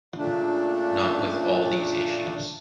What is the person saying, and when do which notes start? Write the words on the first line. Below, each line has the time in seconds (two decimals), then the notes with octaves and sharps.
Not with all these issues.
0.17 A#2 C#3 A3 D4